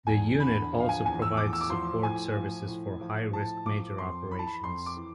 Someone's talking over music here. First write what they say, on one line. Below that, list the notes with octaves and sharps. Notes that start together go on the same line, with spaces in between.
The unit also provides support services for high-risk major operations.
E2 G#5
D3 B5
F3
F5
G#5
E2 G#5
E6
A2 D6
E6
D6
F3 C6
A2 G#5
F3
A2
F3
A2 A5
F3 D6
F2 C6
E3 B5
A5
B5
F2 C6
D6
E3